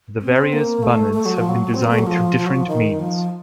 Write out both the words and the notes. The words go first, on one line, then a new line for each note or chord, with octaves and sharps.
The various bunads have been designed through different means.
C4
A#3
A3
A3
F#3
F3
F#3
C4
A#3
A3
F#3
F3
F3
F#3
F3
D#3
F3